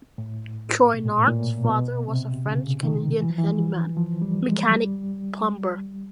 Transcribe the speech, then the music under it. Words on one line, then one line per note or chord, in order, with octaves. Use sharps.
Chouinard's father was a French-Canadian handyman, mechanic, plumber.
A2
B2
A#2
A2
A#2
A#2
B2
C3
C#3
D#3
E3
F3
E3
F3
G3
G#3
G3